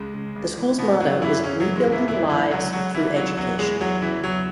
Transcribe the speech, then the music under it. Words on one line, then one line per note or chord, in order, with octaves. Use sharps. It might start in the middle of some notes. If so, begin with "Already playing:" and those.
The school's motto is Rebuilding Lives Through Education.
Already playing: C#2 G#3
C#3
C#2
E3
B2 E3 B3
F#2 F#3 F#4
F#2 E3 E4
C#3 E3 C#4
F#3
E3
G#3
F#2
E3 E4
C#2 E3 E4
E3 E4
C#2 F#3 F#4
C#3 F#3 F#4
C#2 E3 E4
E3 F#3 F#4
E2 F#3 F#4
E3 G#3 G#4
E2 F#3 F#4
C#3 E3 E4
E2 F#3 F#4